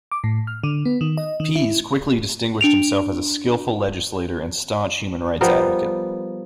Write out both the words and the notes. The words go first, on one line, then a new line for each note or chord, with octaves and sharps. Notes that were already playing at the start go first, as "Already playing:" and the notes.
Pease quickly distinguished himself as a skillful legislator and staunch human rights advocate.
D6
A2
F6
D3
B3
D#3
D#5
D#3
E4
D4 D7 F7
F3 G3 B3 A#4